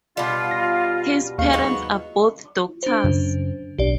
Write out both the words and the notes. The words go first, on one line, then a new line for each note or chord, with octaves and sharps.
His parents are both doctors.
B2 G3 F4
A#6
D#2 G#2 A#3 F5 C#6
F#3 B3 D#5
D4 C5
F#2 C#3
B1 D4 G4 D5